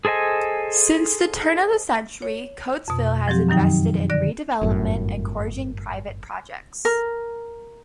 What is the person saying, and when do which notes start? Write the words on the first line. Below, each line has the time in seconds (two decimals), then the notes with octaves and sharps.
Since the turn of the century, Coatesville has invested in redevelopment, encouraging private projects.
0.05 G#4 A4 C5 D#5 G#5
2.22 C#5
2.88 F2 B2
3.28 F3 F#3 C4 G4
3.49 F#2 D#3 F#3 D#4 G5
4.10 D3 D5 A#6
4.61 G1 F#2 A2
6.85 A#4